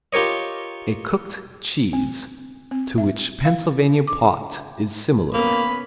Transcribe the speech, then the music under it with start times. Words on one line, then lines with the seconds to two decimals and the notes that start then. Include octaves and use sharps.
A cooked cheese to which Pennsylvania pot is similar.
0.13 F4 G4 A#4 C#5 D#5
1.93 C4
2.71 C4
2.98 E5
3.45 F5
4.07 D6
5.34 A#3 B3 C#4 B5